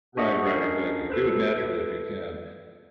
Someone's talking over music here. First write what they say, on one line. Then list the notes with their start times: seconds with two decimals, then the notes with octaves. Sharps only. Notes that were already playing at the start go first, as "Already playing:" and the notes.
Right, right, exactly. Do it naturally if you can.
0.17 D4 F#4 G#4 D#5 E5 F#5
0.46 C#4 D4 A#4 C7
1.10 A4 B4 C5